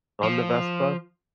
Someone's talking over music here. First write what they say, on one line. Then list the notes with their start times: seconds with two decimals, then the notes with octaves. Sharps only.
on the Vespa,
0.23 F3